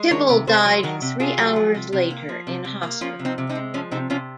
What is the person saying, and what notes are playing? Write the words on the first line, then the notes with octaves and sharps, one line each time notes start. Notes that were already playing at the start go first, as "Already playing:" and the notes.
Tibble died three hours later in hospital.
Already playing: G#3
D#3 A#4 C#5
C3
C3 G#4 C5
F#3
D#3 F#4 A#4
C3
C3 F4 G#4
F#3
F3
C3
C3
A#3
F3
C3
C3
A#3
F3 C#4 F4
C3
C4 D#4
C3
C4 D#4
G#3
F3 C#4
C3 C4 D#4
C3 C#4 F4